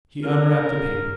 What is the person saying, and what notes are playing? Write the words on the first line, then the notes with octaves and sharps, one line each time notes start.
He unwrapped the paper.
A#4